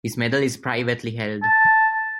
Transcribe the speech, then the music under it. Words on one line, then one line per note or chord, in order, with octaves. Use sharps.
His medal is privately held.
A5